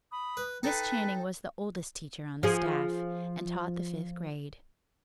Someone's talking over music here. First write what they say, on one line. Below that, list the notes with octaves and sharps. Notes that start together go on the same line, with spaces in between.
Miss Channing was the oldest teacher on the staff, and taught the fifth grade.
B5 D#6
B4
D#4 A4 B4 G5 A5
F3 G#4